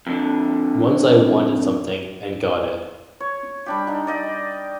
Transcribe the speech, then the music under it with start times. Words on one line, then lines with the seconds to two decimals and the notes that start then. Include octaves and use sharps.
Once I wanted something and got it.
0.07 F2 D3
3.20 C#5
3.66 G3 D4 G4
3.87 D#4 G5
4.07 D5 D#5 G5